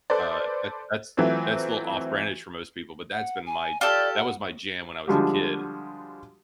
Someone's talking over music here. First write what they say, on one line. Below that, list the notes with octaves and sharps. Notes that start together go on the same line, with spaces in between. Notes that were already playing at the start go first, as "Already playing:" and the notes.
uh, that that's, that's a little off-brandish for most people, but that's been my that was my jam when I was a kid,
A4 B4 C5 D5
E3 F#3 A3 C4 F4
F#5
G#5
F4 G4 A4 D5
F#5
D3 F3 G3 G#3 F#4 G4